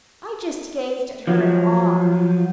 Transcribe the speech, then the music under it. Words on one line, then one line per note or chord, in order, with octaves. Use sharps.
I just gazed at her in awe.
F3 F#3